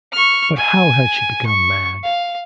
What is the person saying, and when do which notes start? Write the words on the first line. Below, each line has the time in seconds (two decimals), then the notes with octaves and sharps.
But how had she become mad?
0.12 C#6 F6
0.57 G#5
1.46 C#6
2.03 F5